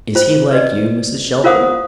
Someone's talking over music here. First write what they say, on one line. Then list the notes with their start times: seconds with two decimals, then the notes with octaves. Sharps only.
"Is he like you, Mrs. Shelfer?"
0.15 F4 C5
0.51 B4 D5 D#5
1.44 F4 A#4 C5 F5 F#5 D#6